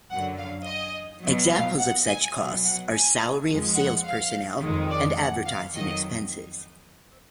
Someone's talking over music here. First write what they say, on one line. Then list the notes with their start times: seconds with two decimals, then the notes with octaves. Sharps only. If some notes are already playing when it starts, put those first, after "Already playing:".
Examples of such costs are salary of sales personnel and advertising expenses.
0.11 F#2 D3 F#3 F#5
0.38 F5
0.66 D#5
1.23 B2 F#3
1.51 F5
1.79 F#5
2.07 G#5
2.36 B2 F#3
2.65 F#5
2.93 G#5
3.49 F2 F3 G#3
3.77 F#5
4.06 F5
4.62 F2 D#3 G#3
4.90 D5
5.18 F#5
5.46 F5
5.75 F2 D#3 F#3 D#5